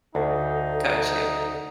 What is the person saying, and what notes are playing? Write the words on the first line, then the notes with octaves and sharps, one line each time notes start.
Got you.
D2 D#4 A4